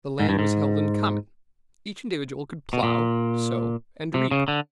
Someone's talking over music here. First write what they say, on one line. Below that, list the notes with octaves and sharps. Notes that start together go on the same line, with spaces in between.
The land was held in common: each individual could plow, sow, and reap.
G#2
G2
G#2
B2
A#2
C3
C#3
D3